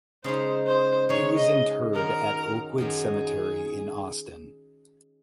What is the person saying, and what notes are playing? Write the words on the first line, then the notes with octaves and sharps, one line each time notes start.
He was interred at Oakwood Cemetery in Austin.
C#3 G#3 D#4 C5
C5
C#3 G#3 D#4 C#5
D#5
F#2 D#3 F#3 A#4
F#2 D#3 F#3 G#4